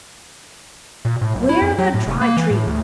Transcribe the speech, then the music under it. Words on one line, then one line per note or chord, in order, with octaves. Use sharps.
Ware the Dry Tree!
A#2
A2
B1
E4
F2
F#3
A2
F1
A#3
E3
A2
D2